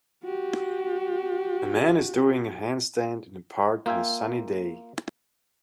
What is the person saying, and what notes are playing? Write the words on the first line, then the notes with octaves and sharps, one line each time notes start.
A man is doing a handstand in a park on a sunny day.
F#4 G4
A#3 F4 E5 G5 G#5